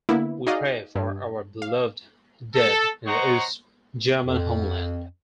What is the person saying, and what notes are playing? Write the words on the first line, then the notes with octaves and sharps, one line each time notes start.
We pray for our beloved dead in the East German homeland.
D3 A#3 B3 E4
D#4 F#4 G#4 D5 D#5 F5
G2
F5
A4
C5 C#5 D#5 F#5 A#5 C#6
F2